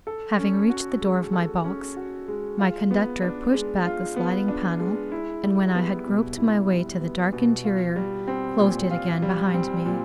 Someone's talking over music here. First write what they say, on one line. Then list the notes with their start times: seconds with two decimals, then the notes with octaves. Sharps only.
Having reached the door of my box, my conductor pushed back the sliding-panel, and when I had groped my way to the dark interior, closed it again behind me.
0.07 A4
0.38 C#4
0.70 F#4
1.01 G#3
1.33 A4
1.64 C#4
1.96 F#4
2.28 G#3
2.59 F4
2.91 B3
3.22 D4
3.54 G#3
3.85 F4
4.16 B3
4.48 D4
4.80 G#3
5.12 E4
5.43 G3
5.75 B3
6.06 B2
6.38 E4
6.70 G3
7.01 B3
7.33 B2
7.64 F4
7.96 G3
8.28 C4
8.59 A#2
8.91 F4
9.22 G3
9.54 C4
9.86 A#2